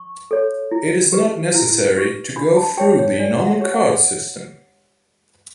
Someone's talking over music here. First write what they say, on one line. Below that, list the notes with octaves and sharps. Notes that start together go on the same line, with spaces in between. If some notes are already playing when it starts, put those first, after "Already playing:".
It is not necessary to go through the normal court system.
Already playing: C#6
A4 C#5
E4
G4 B4
E4
G4 B4
D4 B5
A5
G4 C#5 G5
C#5
D4 D5
F#5
E5
G4 C#5
F#5